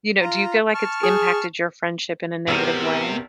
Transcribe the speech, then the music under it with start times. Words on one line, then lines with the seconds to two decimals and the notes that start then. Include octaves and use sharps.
you know, do you feel like it's impacted your friendship in a negative way?
0.21 F4 A#5
0.74 A5 C#6 F6
1.03 G#4
2.48 G#1 C3 B3 G4 A#4